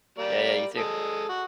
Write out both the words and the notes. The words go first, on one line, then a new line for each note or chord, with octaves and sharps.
Yeah, yeah, you too.
G3 A#3 D5
G#3 A4 D#6
F#4